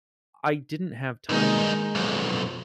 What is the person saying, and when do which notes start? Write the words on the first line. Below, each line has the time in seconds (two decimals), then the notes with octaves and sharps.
I didn't have time
1.29 G2 D#3 G#3 A#3 D#4
1.95 B1 F2